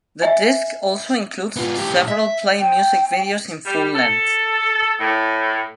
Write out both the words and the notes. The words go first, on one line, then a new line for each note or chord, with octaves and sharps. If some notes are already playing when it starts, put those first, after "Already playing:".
The disc also includes several Play music videos in full length.
D#5 E5 G#5
B3 F4
A2 G4
E5
G5
G3
A4
A2